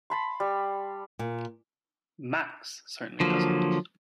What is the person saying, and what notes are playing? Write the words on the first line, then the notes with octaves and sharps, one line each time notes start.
"Max" certainly doesn't.
A5 B5 C6
G3
A#2
D3 F3 F#3 A#3